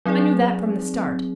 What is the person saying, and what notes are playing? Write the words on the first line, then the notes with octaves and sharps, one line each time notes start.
I knew that from the start.
F#3 C4 D#4 G#4 D5